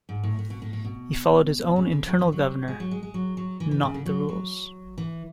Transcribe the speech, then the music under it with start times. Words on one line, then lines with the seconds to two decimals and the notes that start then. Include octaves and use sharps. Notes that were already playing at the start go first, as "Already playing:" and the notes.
He followed his own internal governor not the rules.
0.09 G#2
0.23 A2
0.39 A2
0.50 B2
0.62 A2
0.73 A2
0.84 B2
1.76 C#3
1.92 D3
2.07 F#3
2.19 E3
2.32 F#3
2.68 G#3
2.80 F#3
2.91 G#3
3.03 G#3
3.14 F#3
3.37 F#3
3.60 E3
3.71 E3
3.83 C#3
3.94 D3
4.06 F#3
4.29 F#3
4.98 E3